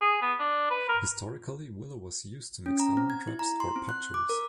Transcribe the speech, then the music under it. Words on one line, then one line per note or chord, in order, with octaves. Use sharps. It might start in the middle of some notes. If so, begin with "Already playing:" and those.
Historically willow was used to make salmon traps or "putchers".
G#4
B3
D4
B4
A#4
C#4
A#5
C4
G#6
E4
A#5
C6
C4
F#6
D6
A#4